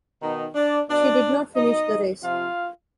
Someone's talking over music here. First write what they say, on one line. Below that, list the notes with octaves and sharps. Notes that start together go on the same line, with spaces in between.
She did not finish the race.
B2 D#3 D#4
D4 D5
B2 D4 D5
B2 D#4 D#5
C3 F3 F4 F5